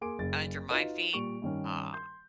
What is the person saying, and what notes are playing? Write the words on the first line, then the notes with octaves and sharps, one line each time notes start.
under my feet, uh,
A#3 G#4 G#5 C6 D6 D7
F#1 C#3 A6
D#4 F4 F#4 B4 D#5
A#2 G3 C#6 D7 F7
G2 D#3 C#4
C6 G6